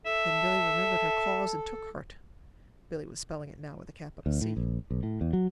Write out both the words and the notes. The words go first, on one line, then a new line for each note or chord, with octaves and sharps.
Then Billy remembered her Cause, and took heart--Billy was spelling it now with a capital C.
A4 E5
D2
A2
A#1
B1
A2
E2
F#3